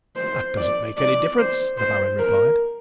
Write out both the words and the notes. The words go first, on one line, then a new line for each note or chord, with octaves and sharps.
"That doesn't make any difference," the Baron replied.
C5
D5
D5
C5
C5
A#4